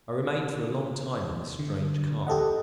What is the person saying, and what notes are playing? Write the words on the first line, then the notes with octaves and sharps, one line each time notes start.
I remained for a long time in this strange calm.
D3
G4 A4 D#5 F#5